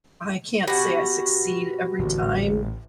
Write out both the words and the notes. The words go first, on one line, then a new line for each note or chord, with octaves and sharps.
I can't say I succeed every time.
B2 F#4 G4 B5 A#6
A1 E2 A#2 D3